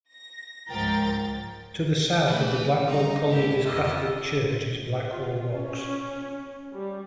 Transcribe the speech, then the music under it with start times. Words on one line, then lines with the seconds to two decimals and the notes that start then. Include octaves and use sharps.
To the south of the Blackhall Colliery's Catholic church is Blackhall Rocks.
0.13 A#6
0.70 C#2 G#2 F3 A#4 G5 A6
2.29 E3 A3 B4
2.87 G3 C4 D#4 C5 A#5
3.29 G#2 C#3 A#3 E4 G4
3.65 F2 F4 D#5 E5 D6 E6
5.08 F4
5.54 C#4
6.74 G3